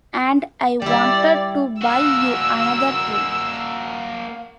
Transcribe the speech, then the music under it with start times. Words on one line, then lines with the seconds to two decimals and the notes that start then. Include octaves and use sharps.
And I wanted to buy you another drink.
0.82 G3 E4 D5
1.82 A#3 F#4 E6